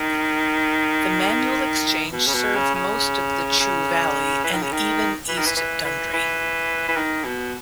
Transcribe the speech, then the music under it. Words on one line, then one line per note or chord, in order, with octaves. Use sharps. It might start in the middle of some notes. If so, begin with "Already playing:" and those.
The manual exchange served most of the Chew valley and even East Dundry.
Already playing: D#3
B2
C#3
B2
C#3
C#3
C#3
E3
D#3
C#3
D#3
E3
D#3
E3
E3
E3
E3
E3
D#3
B2